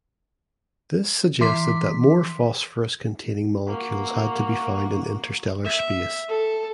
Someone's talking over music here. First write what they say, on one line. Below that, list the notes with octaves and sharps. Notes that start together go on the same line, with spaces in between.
This suggested that more phosphorus containing molecules had to be found in interstellar space.
E3 C6 D6 B6
A#3 F#4
E5
A4